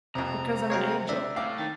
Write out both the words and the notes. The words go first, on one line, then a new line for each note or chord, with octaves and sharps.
"Because I'm an angel."
C2 F2 C3 A#5
F#3 G#3 C#5 F5 G5
D4 E5
A2 A3 F5 D6
D#3 A6